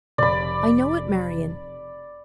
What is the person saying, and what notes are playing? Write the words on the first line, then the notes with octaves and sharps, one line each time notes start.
"I know it, Marian."
F1 D5 B5